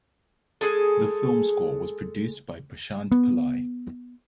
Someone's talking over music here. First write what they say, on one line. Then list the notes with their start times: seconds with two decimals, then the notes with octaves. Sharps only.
The film score was produced by Prashant Pillai.
0.61 G#3 G#4 A4
3.12 B3